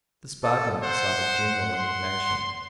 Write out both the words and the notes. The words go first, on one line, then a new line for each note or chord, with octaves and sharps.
This bargain excited general indignation.
A4
C5 F#5
C6